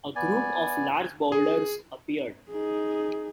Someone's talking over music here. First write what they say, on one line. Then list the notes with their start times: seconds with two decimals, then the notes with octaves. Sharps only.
A group of large boulders appeared.
0.16 B3 D5 G#5
1.32 G#4
2.50 D#4 G#4